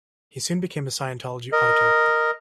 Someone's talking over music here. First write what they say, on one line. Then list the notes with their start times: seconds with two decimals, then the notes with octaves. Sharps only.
He soon became a Scientology auditor.
1.52 A#4 D#5